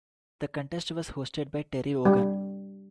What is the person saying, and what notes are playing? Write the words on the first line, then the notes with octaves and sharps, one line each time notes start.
The contest was hosted by Terry Wogan.
G3